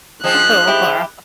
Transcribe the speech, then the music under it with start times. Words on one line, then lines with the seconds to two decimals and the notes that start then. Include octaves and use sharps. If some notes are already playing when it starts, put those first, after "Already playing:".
Oh, wow.
0.24 F3 G#3 C4 F#6
0.67 E4 G4